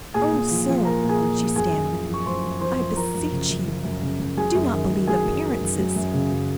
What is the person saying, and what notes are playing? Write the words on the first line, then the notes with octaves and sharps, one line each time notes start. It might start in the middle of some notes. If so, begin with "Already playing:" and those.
"Oh, sir," she stammered, "I beseech you, do not believe appearances."
A#2 G#4 G#5
A#2
F3
F3
A#2 A#4 A#5
A#2
G#4 G#5
F3
F3
F#2 G#4 G#5
F#2
F3
F3
C#6
F#2 C5 C6
F#2
F3 C5 C6
F3
F3 A#4 A#5
F#2
C#3
F#2
F3
F#2
C#3
F#2
F#3 G#4 G#5
F#2
D#3
F#2
F#3 G#4 G#5
F#2
D#3
F#2
F#3
F#2
C#3
F#2